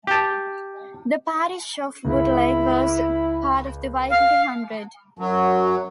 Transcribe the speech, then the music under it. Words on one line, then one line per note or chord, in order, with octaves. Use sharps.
The parish of Butleigh was part of the Whitley Hundred.
G4 A5
C#2 E4
F5
F#2 F#3